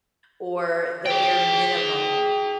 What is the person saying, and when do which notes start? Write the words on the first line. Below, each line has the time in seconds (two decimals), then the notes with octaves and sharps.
or the bare minimum.
1.06 G#4 G5